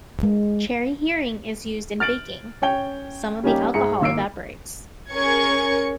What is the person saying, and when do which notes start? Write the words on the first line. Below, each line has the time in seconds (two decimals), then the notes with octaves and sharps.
Cherry Heering is used in baking; some of the alcohol evaporates.
0.23 G#3
2.00 F6 A6 D7 F#7
2.62 C#4 C#5 G5 G7
3.43 G3 A#3 C#4 D#4 G4
3.74 G#2 G#4 E5 A#5 C#7
4.01 G#1 A#3 E6 C7 D7
5.12 C#4 G#4 A#4 C#6 G#6 C#7